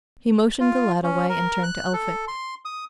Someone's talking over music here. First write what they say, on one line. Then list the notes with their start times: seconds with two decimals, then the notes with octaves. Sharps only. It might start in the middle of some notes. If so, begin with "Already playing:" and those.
He motioned the lad away, and turned to Elphick.
0.60 F4
1.03 C#4
1.29 A#4
1.63 F#6
1.93 A4
2.28 C6
2.65 D#6